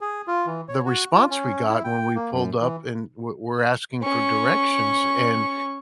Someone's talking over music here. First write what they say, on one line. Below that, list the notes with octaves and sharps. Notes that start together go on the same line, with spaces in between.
the response we got when we pulled up and we'r we're asking for directions, and
G#4
F4
E3
C#5
F#4
F4
C#4
E4
G5
A#3
F#2
E3
C#4 C#6